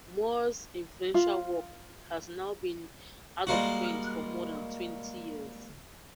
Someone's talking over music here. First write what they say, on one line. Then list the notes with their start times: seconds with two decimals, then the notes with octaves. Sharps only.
Moore's influential work has now been out-of-print for more than twenty years.
1.14 F4
3.47 G3 G#3 A#3 F#4